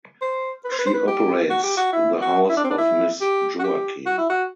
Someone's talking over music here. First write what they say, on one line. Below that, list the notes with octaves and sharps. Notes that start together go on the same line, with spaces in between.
She operates the House of Miss Joaquim.
C5
B4
C5
B4
C5
B4
G4
F#4
G4
F#4
E4
F#4
E4
D4
C4
D4
E4
G4
F#4
G4
F#4
E4
F#4